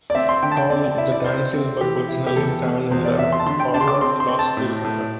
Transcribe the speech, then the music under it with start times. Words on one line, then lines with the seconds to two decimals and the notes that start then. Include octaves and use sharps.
Tom the Dancing Bug originally ran in the "Harvard Law School Record".
0.10 D5
0.15 C4 E5
0.29 C6
0.43 D3 G5
0.52 A5
0.57 G5
0.70 C4 D5
0.84 D5
0.98 E4 E5
1.12 D5
1.26 C4 C5
1.53 C4
1.81 E3 G4
2.08 E4
2.26 G4
2.36 E2 A4
2.64 E2
2.91 E2 C5
3.05 D5
3.18 C3 E5
3.32 C6
3.39 A5
3.46 D3 C6
3.60 G5
3.74 D4 A5
3.81 C6
3.88 D6
4.01 C4 C6
4.20 C6
4.28 C4
4.39 A5
4.57 A2
4.84 A2